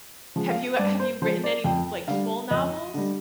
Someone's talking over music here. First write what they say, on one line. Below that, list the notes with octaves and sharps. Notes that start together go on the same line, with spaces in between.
have you have you written any f like full novels?
F3 G#3
F5
G2 D5
C5
F3 G#3 C5
D5
F2 G5
D3 G3 F5
F2 D#5
D3 G3